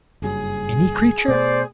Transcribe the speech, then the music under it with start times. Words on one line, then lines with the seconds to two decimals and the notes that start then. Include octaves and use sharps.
"Any creature?"
0.22 F#1 G2 F#3 G#4
1.28 B2 A3 C5 D5